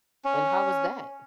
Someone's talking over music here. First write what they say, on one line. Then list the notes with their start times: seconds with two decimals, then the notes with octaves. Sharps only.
And how was that?
0.25 C#4